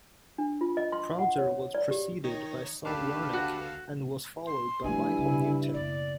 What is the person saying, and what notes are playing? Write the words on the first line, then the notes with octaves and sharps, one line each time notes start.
Krauzer was preceded by Saul Wernick and was followed by Michael Newton.
D4
F4
D#5
C6
F#5
C#5
D5
G4
D#3 D#4 C#5 A#6
D2 D4 G4 A4 B4 F5
F#4
C6
G2 F3 A3 E4 G#5
C#3
F#1 B2 D5